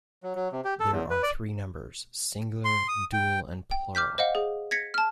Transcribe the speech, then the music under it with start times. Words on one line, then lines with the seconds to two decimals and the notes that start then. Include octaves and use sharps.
There are three numbers, singular, dual and plural.
0.23 F#3
0.35 F#3
0.52 C3
0.64 G4
0.80 A4
0.91 E2
1.10 B4
1.23 D5
2.65 C6
2.88 D#6
3.13 G5
3.71 G5
3.95 D6 F6 G6 B6
4.18 C5 D#5 F5 F#5
4.35 G#4
4.71 G#6 A#6 B6 C#7
4.94 A5 F6